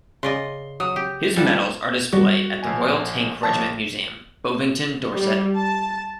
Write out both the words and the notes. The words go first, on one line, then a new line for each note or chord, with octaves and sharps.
His medals are displayed at the Royal Tank Regiment Museum, Bovington, Dorset.
C#3 D5 D#5 C6
F#3 D#6
G4
F3 G3 A4 F#5 A5
F#3 G3 F#4
A#1 G#5
A#1 A5
G3
A5